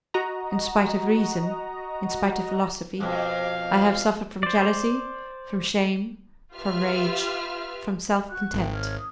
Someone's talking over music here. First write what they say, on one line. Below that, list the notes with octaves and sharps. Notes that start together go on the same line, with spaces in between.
In spite of reason,--in spite of philosophy--I have suffered from jealousy, from shame, from rage, from self contempt.
F#4 D#5 A#5
F2 B2 F5
C5 D5
F4 G4 B4 E5 F6
F#4 C#6 F#6
G#1 A#4 G5
C#5 F6
D#6